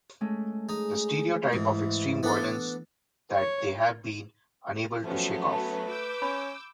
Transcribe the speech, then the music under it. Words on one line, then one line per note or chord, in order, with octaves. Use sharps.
The stereotype of extreme violence that they have been unable to shake off?
G#3 A3 C#4
D#4 G#4
G#2 E3 E4
B3 D4 A4
C#5
F3 F#3 A3 B3 C#4
B4 A5
D6 E6 G6
C#4 B5